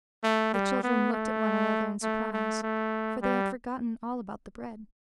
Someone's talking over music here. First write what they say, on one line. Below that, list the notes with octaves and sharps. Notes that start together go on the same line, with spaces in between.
The children looked at one another in surprise, for they had forgotten all about the bread.
A3
G3
B3
A3
A3
A3
A3
G3